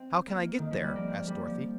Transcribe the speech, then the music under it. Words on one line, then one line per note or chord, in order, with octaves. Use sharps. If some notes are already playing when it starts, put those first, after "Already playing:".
"How can I get there?" asked Dorothy.
Already playing: C4
A#3
D#3
F3
G3
A#3
C4
G3
F3